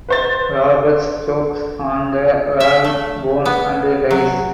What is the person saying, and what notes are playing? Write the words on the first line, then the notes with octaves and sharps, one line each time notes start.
Roberts chokes on the rabbit bone and dies.
B4 C5 A6
E5
A3
B3
F#3